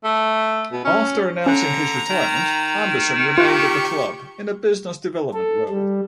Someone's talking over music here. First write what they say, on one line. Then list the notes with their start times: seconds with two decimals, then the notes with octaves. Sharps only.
After announcing his retirement, Anderson remained at the club in a business development role.
0.04 A3
0.72 B2
0.84 C#4
1.46 D3 C#4 A#5 F#6
2.10 D#3
3.38 F4 G4 C#6 F#6
5.33 A4
5.69 G3